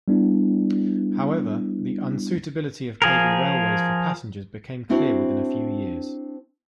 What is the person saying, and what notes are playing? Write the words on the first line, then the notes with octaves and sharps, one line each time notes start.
However, the unsuitability of cable railways for passengers became clear within a few years.
G3 B3 D4 E4
F3 G#4 A#4
C4 D4 E4 F#4 C5